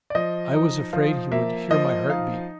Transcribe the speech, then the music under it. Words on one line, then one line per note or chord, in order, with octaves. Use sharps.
I was afraid he would hear my heart beat.
D5
F3 D#5
D#4
F3 F5
A#3 E5
F3 D#5
D#4 F5